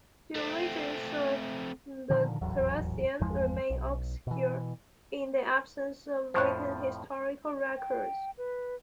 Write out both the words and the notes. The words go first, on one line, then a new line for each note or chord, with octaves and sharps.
The origins of the Thracians remain obscure, in the absence of written historical records.
A3 C4
A#2 D3 D#3 F3
D#1 A1 E2 F#3
G1 E2 F3 G#3
B1
B2 E3
F2 A2 F3 C5 C#6 F#6
G5
B4